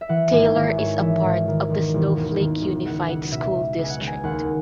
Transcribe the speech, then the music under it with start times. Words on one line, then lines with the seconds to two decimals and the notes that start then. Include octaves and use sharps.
Taylor is a part of the Snowflake Unified School District.
0.01 E5
0.09 E3 F#5
0.32 G#1 G#5
0.55 G#1 E5
0.77 G#2 C#5
1.01 E3 E5
1.24 G#1
1.48 D#3
1.70 E1
1.94 E1
2.17 D#2
2.39 D#3
2.62 E1
2.85 C#2 F#5
3.08 C#2 F#5
3.31 B2 E5
3.54 B2
3.78 C#2
3.84 G#5
3.90 F#5
4.00 C#2
4.07 G#5
4.24 D#2 F#5